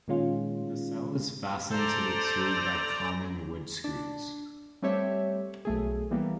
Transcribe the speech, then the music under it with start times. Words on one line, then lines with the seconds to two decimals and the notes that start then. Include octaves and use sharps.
The cell is fastened to the tube by common wood-screws.
0.08 A#2 D#3 G#3 C#4 F4
1.71 A4 C5 D5 A#5
3.84 D4
4.82 G3 A3 C4 G4 C#5 E5
5.65 B1 A3 G#4
6.11 E3 G3 A#3 B3